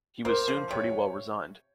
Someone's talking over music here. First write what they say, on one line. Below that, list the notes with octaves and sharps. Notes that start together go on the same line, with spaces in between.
He was soon pretty well resigned.
A#3 C5
F3
C3 C#5